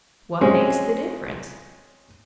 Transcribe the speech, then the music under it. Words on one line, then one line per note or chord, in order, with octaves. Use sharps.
What makes the difference?
G#3 C4 C#4